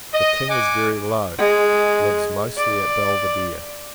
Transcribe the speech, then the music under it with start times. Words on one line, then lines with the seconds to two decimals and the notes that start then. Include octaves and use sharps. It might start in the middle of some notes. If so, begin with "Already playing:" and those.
The King is very low; lives, mostly, at Belvidere.
0.12 D#5
0.49 F#5 G#5 D6
1.38 G#3
2.57 D5